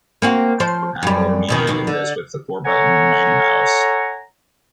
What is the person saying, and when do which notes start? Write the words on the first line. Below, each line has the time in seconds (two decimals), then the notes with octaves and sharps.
Apple remedied this with the four-button Mighty Mouse.
0.22 A#3 C4 F#4
0.60 F3 C5
1.03 F#2 G3
1.49 E2 B2 D#3
1.67 D#2 B2
1.87 D3
2.65 A4 C#5 F#5 G#5 A#5